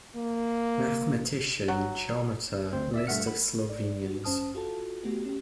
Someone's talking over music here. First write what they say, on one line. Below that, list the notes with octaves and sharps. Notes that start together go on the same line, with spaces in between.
Mathematician, Geometer, List of Slovenians.
A#3
F#3
D2 C4 C5
D5 E5 E6
G2 A3 E5 F#5 F6 C#7
B5
D5
F#4
F#2 C#4 C5 A5 D#6 F6
F4 F#4 A4 A5
A3 B3 F#4 G4
C#4 G4